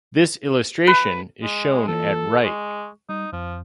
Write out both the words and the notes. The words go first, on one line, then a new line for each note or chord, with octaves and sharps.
This illustration is shown at right.
B4
G#3
E3 A#3 F4 A4
G#3 C#6
G3 D#4
F2 F3